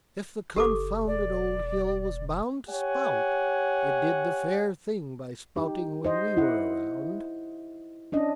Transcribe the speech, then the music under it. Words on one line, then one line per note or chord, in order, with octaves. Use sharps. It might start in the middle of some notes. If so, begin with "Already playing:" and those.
If the confounded old hill was bound to spout, it did the fair thing by spouting when we were around.
F#1 G4 A4 D6
E1 D5
G4 C#5 F#5 G#5
D#4 G4
C5 D#5
E4 F#5
C#4 D4 D#5